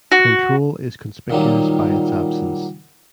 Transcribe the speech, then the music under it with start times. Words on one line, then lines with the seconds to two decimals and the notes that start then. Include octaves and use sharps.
Control is conspicuous by its absence.
0.12 F#4
1.30 A#2 D#3 F#3 G3